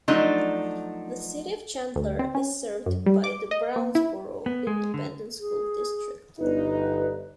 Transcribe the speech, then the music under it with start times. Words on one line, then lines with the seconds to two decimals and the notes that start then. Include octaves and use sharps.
The City of Chandler is served by the Brownsboro Independent School District.
0.08 F3 F#3 A3 D4 D#4
1.96 D2
2.19 C4
2.35 C#4
2.86 F#2
3.06 G3
3.24 D6
3.51 D#5
3.76 A#3
3.95 E4
4.46 B3
4.67 G#3
4.94 D3
5.39 G#4
6.39 G1 D#4 B4